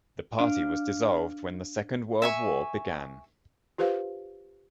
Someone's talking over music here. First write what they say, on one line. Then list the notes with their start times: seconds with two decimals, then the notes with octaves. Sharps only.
The party was dissolved when the Second World War began.
0.38 D4 F5 D7
2.22 E5 G#5 C#6
3.78 F4 G4 B4 C5 F5